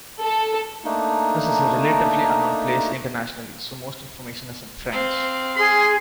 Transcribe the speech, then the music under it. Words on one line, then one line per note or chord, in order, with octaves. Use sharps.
This is a relatively unknown place internationally, so most information is in French.
A4
A3 A#3 D4 D#4
C4 F5
G#4 C6